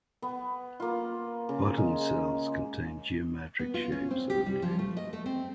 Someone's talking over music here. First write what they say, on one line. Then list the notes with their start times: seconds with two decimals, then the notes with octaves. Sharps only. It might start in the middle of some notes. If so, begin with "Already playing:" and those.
Bottom cells contain geometric shapes only.
0.22 B3
0.80 A#3 F4
1.49 C#3
1.77 G#3
3.59 B3
3.74 F4
3.92 C#4
4.11 C4
4.30 G4
4.46 G3
4.62 F3
4.79 A3
4.97 D#5
5.13 A3
5.26 C4